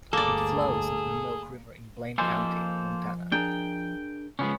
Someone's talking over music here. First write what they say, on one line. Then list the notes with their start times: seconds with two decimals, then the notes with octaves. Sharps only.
It flows into the Milk River in Blaine County, Montana.
0.13 G1 D2 A#3 G#4 A4 D5
2.18 F3 A#3 A4 C5 D#5 G#5
3.32 D4 G#4 A#4 G5
4.39 C#3 F3 G#3 B3 C#4